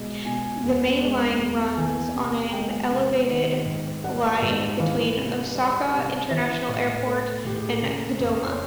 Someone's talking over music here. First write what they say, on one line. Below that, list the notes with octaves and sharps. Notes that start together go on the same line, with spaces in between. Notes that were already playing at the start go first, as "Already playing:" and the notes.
The Main Line runs on an elevated line between Osaka International Airport and Kadoma.
Already playing: B2 G#3
B2 G#5
E2
G#3
E2
E3 G#5
C3
G#3 G5
C3
D#3
G#2
G3 F#5
G#2
E3 F5
C3
G3
C3
E3 E5
A2
A3
A2 G4
G#4
A4
C#3 A#4
F2
C5
C#5